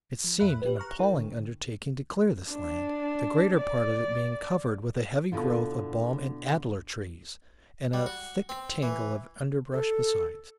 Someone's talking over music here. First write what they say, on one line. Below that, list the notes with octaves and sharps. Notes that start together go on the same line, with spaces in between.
It seemed an appalling undertaking to clear this land, the greater part of it being covered with a heavy growth of balm and alder trees and a thick tangle of underbrush besides.
F3
F2 E5 B5 F#6
G4 B4
A#5 C#6 F6 F#6
E4 A#4 G5
D3
D4
D5
B2 D3 E4 F4
G3
F#4
C4
E3
A4